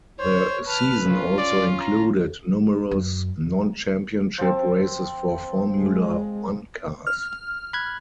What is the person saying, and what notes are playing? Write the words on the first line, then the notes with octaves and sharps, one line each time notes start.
The season also included numerous non-championship races for Formula One cars.
C5 C#5
B4 A5 F6
C#4 F4
D5
A#5
F#2
F3 C4
G#3
F6
B5 F#6 G#6